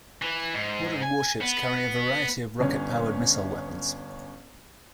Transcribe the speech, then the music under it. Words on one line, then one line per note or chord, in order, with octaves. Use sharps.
Modern warships carry a variety of rocket-powered missile weapons.
E3
G#2
G#5
B3
G1 C#4